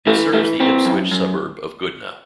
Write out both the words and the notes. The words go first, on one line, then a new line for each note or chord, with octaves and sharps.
It serves the Ipswich suburb of Goodna.
E3 A3
E3 A3
E3 C4
F#2
F#2